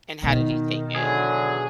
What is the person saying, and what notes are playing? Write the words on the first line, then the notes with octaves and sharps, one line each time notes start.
And how did he take it?
B2 D#3
D3 E3 F#3 G#4